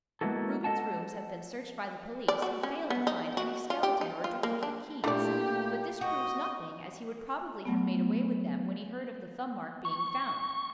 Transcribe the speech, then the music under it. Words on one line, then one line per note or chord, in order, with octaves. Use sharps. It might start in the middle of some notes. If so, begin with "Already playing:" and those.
Reuben's rooms have been searched by the police, who failed to find any skeleton or duplicate keys; but this proves nothing, as he would probably have made away with them when he heard of the thumb-mark being found.
G#3 A#3 B3 E4 F#4 A4
A4 D#5 F#5 A5
D5
F#4
C#4
B3
D#4
F#4
F4
G4
D#4
F4
A#3
D4
A#2 A3 D4 E4 G4 D5
F#4 D#5
F#3 A3 B3
C#6